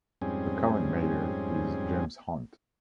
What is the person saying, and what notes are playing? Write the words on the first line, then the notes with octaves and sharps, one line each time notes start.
The current mayor is James Hunt.
F2 G#2 G3 C4 C#4 G#4